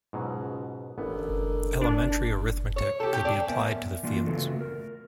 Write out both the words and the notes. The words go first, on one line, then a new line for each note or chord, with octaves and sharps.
Elementary arithmetic could be applied to the fields.
C#2 G#2 B2 F#3
A1 D3 B3 A#4
D4
C#5
G4 A4
G4
D4
B3 A#4 E5 G#5
E3 A#3 D4 F4
C#3 A3 B3 F4 F#4 A4
A#4